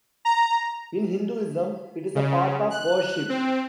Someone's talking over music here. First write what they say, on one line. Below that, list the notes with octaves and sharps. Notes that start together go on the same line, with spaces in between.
In Hinduism it is a part of worship.
A#5
C#3
F#6
C4